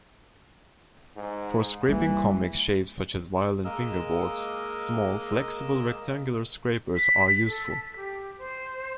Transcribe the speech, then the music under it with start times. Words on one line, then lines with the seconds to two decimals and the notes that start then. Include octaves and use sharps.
For scraping convex shapes such as violin fingerboards, small flexible rectangular scrapers are useful.
1.16 G#2
1.88 E3 G3 A#3
3.65 G#3 A#3 A#4 D#5 E6
6.96 B6
7.47 A4
7.67 B6
7.96 G4
8.38 C5